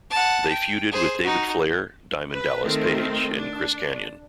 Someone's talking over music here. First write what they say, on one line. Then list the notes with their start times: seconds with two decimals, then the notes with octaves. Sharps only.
They feuded with David Flair, Diamond Dallas Page and Chris Kanyon.
0.11 F#5 A5
0.49 G5
0.91 G#4 C5
1.24 D#4 F#4
2.32 B4
2.65 D#3 A3 C4
3.36 D4